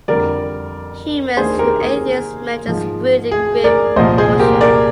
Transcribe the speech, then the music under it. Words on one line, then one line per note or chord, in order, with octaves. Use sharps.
Humans who ate these medlars grew in great proportions.
F2 D3 G3 A#4 D5
D#2 D#3 A#3 D4 G#4 C5
G4 A#4
G#4
G#2 F3 G#3
G#4
A#4 D5
C2 A#2 F3 C5 D#5
G#4 C5
G4 A#4
A#4 D5